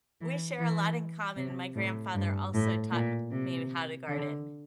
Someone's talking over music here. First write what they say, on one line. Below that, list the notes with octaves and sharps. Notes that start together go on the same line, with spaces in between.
We share a lot in common, my grandfather also taught me how to garden
E3
E3
C3
A2
G2
A2
A#2
C3
D3